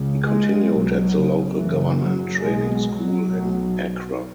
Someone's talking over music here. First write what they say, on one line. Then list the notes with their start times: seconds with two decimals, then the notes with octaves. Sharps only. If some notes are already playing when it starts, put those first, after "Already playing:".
He continued at the Local Government Training School in Accra.
Already playing: C#2 C#3
0.26 G#3
0.69 B1 B2 F#3
1.12 C#3
1.54 F#1 F#2 C#3 E3
1.98 F#3
2.40 B1 B2 G#3
2.84 F#3
3.26 B1 B2